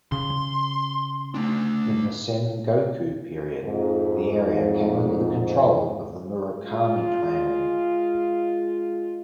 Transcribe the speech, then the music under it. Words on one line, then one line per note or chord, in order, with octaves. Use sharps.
In the Sengoku period, the area came under the control of the Murakami clan.
C#3 C6
A3 D4
F2 G#2
G#3 F4